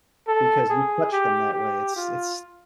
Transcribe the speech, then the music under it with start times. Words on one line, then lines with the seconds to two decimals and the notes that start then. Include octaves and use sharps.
because you touch them that way, it's it's
0.28 A4
0.70 G#4
1.12 G4
1.54 G4
1.96 F4